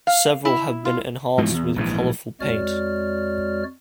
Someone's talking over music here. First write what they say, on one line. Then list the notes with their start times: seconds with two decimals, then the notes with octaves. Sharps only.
Several have been enhanced with colourful paint.
0.07 F5
0.45 E4
0.85 F4
1.38 G#2 B2 E3 F3
1.54 E2
1.76 A#1 G#2 D3 E3
2.41 F2 G#3 F#4 C#5 D5 F6